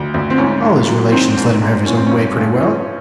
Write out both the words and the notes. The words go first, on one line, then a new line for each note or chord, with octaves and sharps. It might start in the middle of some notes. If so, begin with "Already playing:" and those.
All his relations let him have his own way pretty well.
Already playing: D2
D2
C4
G#2 C#4
G#2
F#3
D#3 C4
G#2
G#2
E3 C#4
C4
G2 C#4
G2
E3 C#4